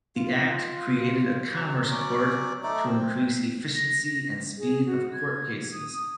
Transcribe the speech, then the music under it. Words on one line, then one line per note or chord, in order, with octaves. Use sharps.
The act created a commerce court to increase efficiency and speed of court cases.
F4
F#3
F#3 C#4 D5
A3 D#4 D5
C4
A#6
G#4
F#4
G#6
D#6